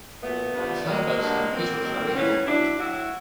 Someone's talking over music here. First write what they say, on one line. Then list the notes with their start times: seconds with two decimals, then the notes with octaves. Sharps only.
The flower buds and petals are edible.
0.22 A#2 F#3 A3 B3
0.54 G2 D3 F3
0.86 B2 F#3 G#3 A#3
1.18 G2 D3 F#3
1.50 B2 F#3 A#3 C4
1.83 G#2 D#3 F#3
2.14 G2 E3 B3 C#4
2.46 B2 F#3 D4 E4
2.78 A2 F#3 E4 F#4